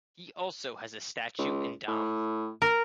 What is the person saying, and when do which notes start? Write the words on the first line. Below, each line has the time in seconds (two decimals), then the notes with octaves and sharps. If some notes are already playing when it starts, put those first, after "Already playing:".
He also has a statue in Damme.
1.38 C#2
1.87 A2
2.62 A#4